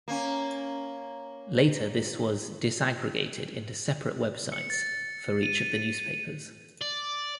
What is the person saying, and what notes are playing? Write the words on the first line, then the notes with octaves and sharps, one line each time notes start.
Later this was disaggregated into separate websites for each of the newspapers.
A#3 C#4
C#7
A6
D#7
D5